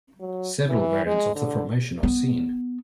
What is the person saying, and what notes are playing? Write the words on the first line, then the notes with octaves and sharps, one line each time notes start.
Several variants of the formation are seen.
F#3
E3
G#3
D3
B3